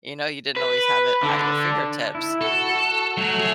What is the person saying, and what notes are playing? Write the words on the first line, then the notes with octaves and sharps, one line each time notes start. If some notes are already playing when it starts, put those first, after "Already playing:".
you know, you didn't always have it at your fingertips.
B4
D3
E4
F#4 A4
F#4
F#3 A3
G#4 C#5